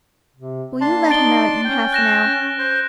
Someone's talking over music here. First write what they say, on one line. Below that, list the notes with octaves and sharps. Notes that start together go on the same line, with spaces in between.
Will you let him out in half an hour?
C3
A#3 D4 A5 C6
D#4 A6 D7 G7
C#4 G5
F#6 A#6 E7
C5